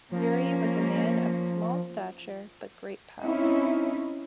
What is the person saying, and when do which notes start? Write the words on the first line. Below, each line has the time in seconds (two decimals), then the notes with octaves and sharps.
Urey was a man of small stature but great power.
0.12 F3 A#3 C#4
3.22 C4 C#4 D#4 E4